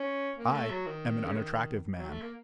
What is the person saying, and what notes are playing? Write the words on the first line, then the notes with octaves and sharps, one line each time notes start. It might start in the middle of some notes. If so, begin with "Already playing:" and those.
I am an unattractive man.
Already playing: C#4
A#3
A3
F#3
D#3
C#3
D#3
F#3
A3
A#3